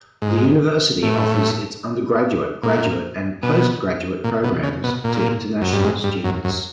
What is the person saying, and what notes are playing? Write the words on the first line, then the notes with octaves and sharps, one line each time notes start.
The university offers its undergraduate, graduate and postgraduate programs to international students.
G#2
A2
A#2
B2
A#2
B2
C#3
B2
A#2
F#2
G2
G#2
G2
F#2
F#2